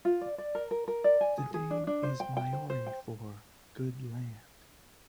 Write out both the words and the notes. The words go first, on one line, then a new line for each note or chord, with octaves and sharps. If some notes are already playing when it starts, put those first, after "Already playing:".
The name is Maori for "good land".
F4
D5
D5
A#4
A#4
A#4
D5
G#5
G#4
G#4
D4
D4
C5
G5
G5
C5
C5
G5